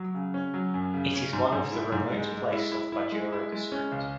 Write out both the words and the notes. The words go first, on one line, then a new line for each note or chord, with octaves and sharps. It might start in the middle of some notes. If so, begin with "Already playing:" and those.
It is one of the remote place of Bajura District.
Already playing: F#3
C#3
C#4
F#3
F#2
C#3
C#4
G#2
G#2
E4
G#2
G#3
G#3
E4
E4
E4
G#3
E4
G#3
C#4
C#2